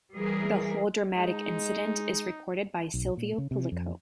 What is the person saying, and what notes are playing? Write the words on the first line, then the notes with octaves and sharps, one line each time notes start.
The whole dramatic incident is recorded by Silvio Pellico.
E3 G3 G#4 A#4
G#3 D#4
B1
A#2
C#3
C3
F2